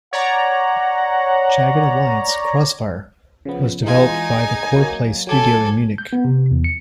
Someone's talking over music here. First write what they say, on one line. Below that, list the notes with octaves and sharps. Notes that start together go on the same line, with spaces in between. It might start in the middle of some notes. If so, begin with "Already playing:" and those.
"Jagged Alliance: Crossfire" was developed by the Coreplay Studio in Munich.
C#5 D5 F#5 A#5
C#3 F3 B3
E3 G#3 D#4 F4 G#5
G#4
F#3 A#3
F#3 A4 G#5 D6 G#6
G6
B3
C3
E2
C#7